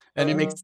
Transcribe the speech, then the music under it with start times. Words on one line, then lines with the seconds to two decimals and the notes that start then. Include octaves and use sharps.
And it makes
0.18 D#3
0.27 C#3
0.33 D#3 F#3